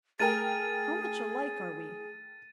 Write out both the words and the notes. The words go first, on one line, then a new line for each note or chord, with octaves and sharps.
How much alike are we?
A3 G#4 A#4 G5 A6 D#7